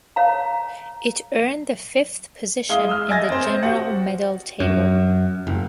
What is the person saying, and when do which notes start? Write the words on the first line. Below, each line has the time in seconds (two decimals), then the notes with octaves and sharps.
It earned the fifth position in the general medal table.
0.16 C#5 F5 A#5
2.69 G#3 E4 F5 D#6 G7
2.90 E6 F6
3.08 D#5 E5 G#5 A6 A#6
3.29 C4 C5
3.63 F#4 G4 F#5
4.60 F#2
5.47 F#1